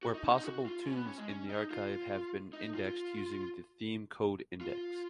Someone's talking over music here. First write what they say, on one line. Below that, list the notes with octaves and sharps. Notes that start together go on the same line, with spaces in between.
Where possible tunes in the archive have been indexed using the Theme Code Index.
F#4
D#4
C#4
D#4
F#4
F4
C#4
B3
C#4
G#3
C#4
D#4
F4
D#4
F4
F4